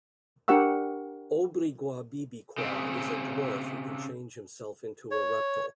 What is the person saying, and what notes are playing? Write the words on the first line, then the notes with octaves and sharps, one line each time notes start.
Obrigwabibikwa is a dwarf who can change himself into a reptile.
D4 G4 A#4 F#5 C#6 E6
C#3 C4
C#5